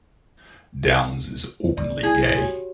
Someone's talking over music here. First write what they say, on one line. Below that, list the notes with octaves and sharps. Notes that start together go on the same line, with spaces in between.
Downs is openly gay.
D5
E4 G#4
F#4 G4 C#5